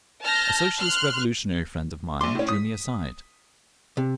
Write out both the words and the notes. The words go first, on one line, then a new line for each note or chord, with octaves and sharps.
A Socialist Revolutionary friend of mine drew me aside.
A5 F6 G6 A#6
C6 F6 F#6
A#1 C6 D6
A2 C#4
D#6 B6
C3